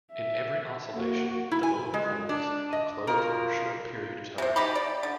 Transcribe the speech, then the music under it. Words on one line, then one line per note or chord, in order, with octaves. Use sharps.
In every oscillation, the vocal folds are closed for a short period of time.
E5
A#3 F#4
E4
G#5
G#3
D4
D#5
B2 F4 A#4
C3 C5
B2 D#4 G4 B5
D5
D3